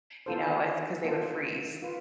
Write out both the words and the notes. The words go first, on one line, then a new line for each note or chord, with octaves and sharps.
you know? It's 'cause they would freeze,
B3 F4 A4 C5
B3 F4 A4 C5
F4 B4